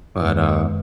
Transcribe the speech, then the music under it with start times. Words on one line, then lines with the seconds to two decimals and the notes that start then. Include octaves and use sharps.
but, uh
0.22 F#2 D#3 G#3 B4